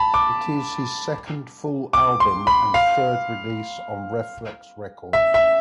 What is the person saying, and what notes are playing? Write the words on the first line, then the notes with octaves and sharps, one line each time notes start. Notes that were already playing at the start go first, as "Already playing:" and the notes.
It is his second full album and third release on Rephlex Records.
Already playing: A5 B5
D6
D6
C6
B5
F5
E5
E5